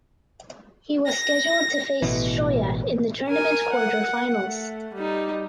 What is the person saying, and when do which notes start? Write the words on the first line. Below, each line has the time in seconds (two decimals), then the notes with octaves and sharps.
He was scheduled to face Shoya in the tournament quarterfinals.
1.07 A#6
2.02 A1 B2 E3
3.28 A#4 G#5
3.74 F#5
4.42 A3
4.94 G3 D#4